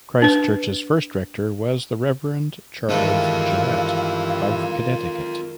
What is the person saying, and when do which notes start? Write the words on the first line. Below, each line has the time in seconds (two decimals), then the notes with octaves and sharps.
Christ Church's first rector was the Rev'd Charles Gillett of Connecticut.
0.22 D4 B4
2.90 G2 D#3 E3 G#3 F4 A4 F5